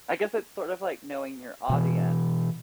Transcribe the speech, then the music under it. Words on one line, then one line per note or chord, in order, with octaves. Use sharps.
I guess it's sort of like knowing your audience
B2 E3